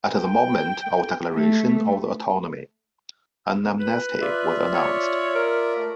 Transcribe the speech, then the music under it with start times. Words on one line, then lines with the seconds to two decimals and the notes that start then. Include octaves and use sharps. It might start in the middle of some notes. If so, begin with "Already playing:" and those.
At the moment of declaration of the autonomy an amnesty was announced.
0.19 G5
1.34 A3
3.80 B4
4.21 F4 D5 E5
4.74 C#5
5.35 A#4
5.77 A3